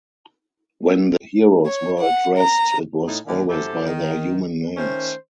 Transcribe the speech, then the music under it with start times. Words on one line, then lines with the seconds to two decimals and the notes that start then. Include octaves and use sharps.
When the heroes were addressed it was always by their human names.
1.66 C#5
2.00 F#5
2.37 A#5
3.07 A2 D#4
3.26 D#2 A#2 D3 D#3
3.49 F#2 E4 G4 A4 C5
3.86 D#3
4.76 D#3 A3 C#4 C5